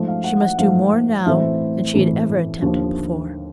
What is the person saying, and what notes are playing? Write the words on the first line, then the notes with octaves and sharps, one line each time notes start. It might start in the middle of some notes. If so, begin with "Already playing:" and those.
She must do more now than she had ever attempted before.
Already playing: G#2 F3 A3
F5
F#5
F#5
G#2 F3 A3 F5
A2 E3 A3 C4 E5
A2 E3 A3 C4
D#2 D3 F3